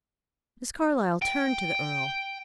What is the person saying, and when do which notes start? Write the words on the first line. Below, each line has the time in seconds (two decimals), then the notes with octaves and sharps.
Miss Carlyle turned to the earl.
1.22 G5